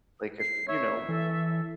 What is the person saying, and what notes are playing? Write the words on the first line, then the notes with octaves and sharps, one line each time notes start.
Like, if you know,
C7
C#5 E5
E3 A4